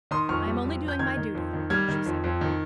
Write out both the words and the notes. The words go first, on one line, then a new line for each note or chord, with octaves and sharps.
"I am only doing my duty," she said.
D#3 C6 D#6
F2 C#6 F6
G3
F2
F2
G6
D#3 F6 G#6
D#3
F2
D#3
G3 F6 G#6
D#3
F2
F2
D#3